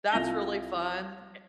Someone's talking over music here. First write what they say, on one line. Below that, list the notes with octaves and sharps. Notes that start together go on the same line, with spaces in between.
that's really fun, eh
C2 E4 F4 A#6 F7 G7